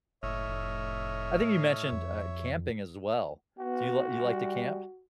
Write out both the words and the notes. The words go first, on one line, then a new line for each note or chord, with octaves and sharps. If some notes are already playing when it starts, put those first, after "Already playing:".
I think you mentioned, uh, camping as well, do you you like to camp?
F#1 A2 C#5 D#5 E5 F6
F1
F2
B3 F#4
G3